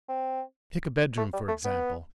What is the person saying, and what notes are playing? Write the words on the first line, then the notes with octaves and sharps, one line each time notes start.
Take a bedroom, for example.
C4
A3
G3
A3
B3